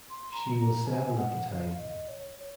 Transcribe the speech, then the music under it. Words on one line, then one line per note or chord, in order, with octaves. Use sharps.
She was seven at the time.
C6
A#5
A#5
G#5
F#5
F5
D#5
C#5
C#5